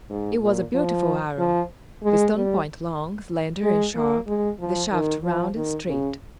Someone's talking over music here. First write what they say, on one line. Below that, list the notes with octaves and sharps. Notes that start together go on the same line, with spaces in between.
It was a beautiful arrow, the stone point long, slender, and sharp, the shaft round and straight.
G#2
A#2
F3
F3
G#3
G3
G#3
A#3
G#3
F3
D#3
F3
D#3
C#3